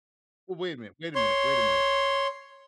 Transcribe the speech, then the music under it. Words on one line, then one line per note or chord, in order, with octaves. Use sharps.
Wa wait a minute wait a minute wait a minute,
C#5 C6